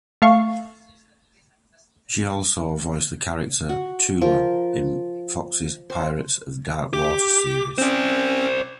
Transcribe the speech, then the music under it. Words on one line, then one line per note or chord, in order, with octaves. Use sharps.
She also voiced the character Tula in Fox's "Pirates of Dark water" series.
A3 F5 C#6
F#4
F3 A#4
C5
G4 D6
C4 C#4 C5 D5